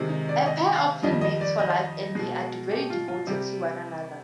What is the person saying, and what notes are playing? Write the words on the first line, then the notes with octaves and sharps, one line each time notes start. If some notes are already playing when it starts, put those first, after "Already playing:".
A pair often mates for life, and they are very devoted to one another.
Already playing: C3 D#3 G#3
D#4
D5
D#5
F5
F2 D#3 G3 D#5
D#5
D5
D#5
B2 G#3
G4
F4
F4
C3 G3 G4